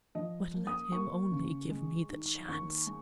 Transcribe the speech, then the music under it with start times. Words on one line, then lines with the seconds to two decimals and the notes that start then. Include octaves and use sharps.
But let him only give me the chance!
0.15 F3 D#5
0.54 A#3
0.67 D#6
0.92 A#3 C#6
1.31 C#3
1.70 G#3
2.10 D#3
2.48 D#2 C#6
2.87 G#3